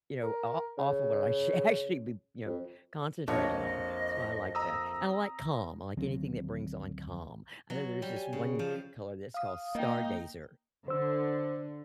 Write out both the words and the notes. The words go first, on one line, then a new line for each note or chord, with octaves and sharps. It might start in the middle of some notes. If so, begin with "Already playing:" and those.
you know, o off of what I sh should actually be, you know, concentrating on. So I like that, and I like calm- I like anything that brings on calm. I know there's this one color that's called Stargazer,
A#4
C#3
F2
A#1 F2 C#5 D#5
A#5 D#6 E6
D2 D#3 F#3 C4
F#3
G3
G#5
C#3
F3
F5 D#6
A#3 D#4 D#5 G5
D3 C5 E6